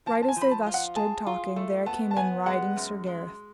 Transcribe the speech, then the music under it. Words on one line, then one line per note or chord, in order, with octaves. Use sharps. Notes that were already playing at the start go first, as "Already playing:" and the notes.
Right as they thus stood talking there came in riding Sir Gareth.
F3 A5
A5
G#5
F3
B5
A5
F4
F#5
G#4 A5
F4
A3
B3 A5
A5
B3 G#5
G#3 F#5
F#2
G#3